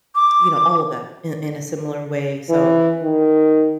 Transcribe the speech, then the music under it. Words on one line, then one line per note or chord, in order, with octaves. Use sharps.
you know, all of that, in in a similar way. So,
D6
E3
D#3